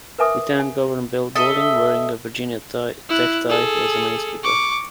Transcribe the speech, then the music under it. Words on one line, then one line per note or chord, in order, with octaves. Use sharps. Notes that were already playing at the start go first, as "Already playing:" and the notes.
Lieutenant Governor Bill Bolling, wearing a Virginia Tech tie, was the main speaker.
A#4 B4 E5 G#5 D6 D#6
G#5
A4 D#5 E5
E4 F#6
G#4 A4
C#6 D6